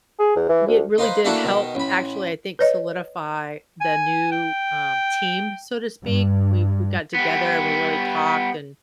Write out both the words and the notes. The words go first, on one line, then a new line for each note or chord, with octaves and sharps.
i it really did help, actually, I think, solidify the new, um, team, so to speak. We we got together, we really talked, and,
G#4
E2
E3
D2
D#4 F4 B4 C5
A3 A#3 D4 E4 F#4 A4
B2 D#3
A1 B5
B4 C#5 D#5
G#5
G5
G2
G3 B3